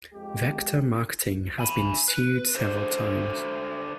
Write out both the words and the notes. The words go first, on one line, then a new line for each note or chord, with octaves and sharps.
Vector Marketing has been sued several times.
F2 G#3 G4
G#5 B5
B4
D3 C5